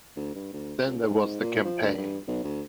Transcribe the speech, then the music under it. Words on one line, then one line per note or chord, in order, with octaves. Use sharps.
Then there was the campaign.
D2
G2
D2
C#2
G#2
G#2
A#2
F3
D2
G2
B1
D2